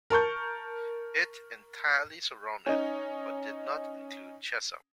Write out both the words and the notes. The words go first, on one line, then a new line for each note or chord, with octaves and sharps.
It entirely surrounded but did not include Chesham.
A#4 A5 C#6 G6
C#4 D#4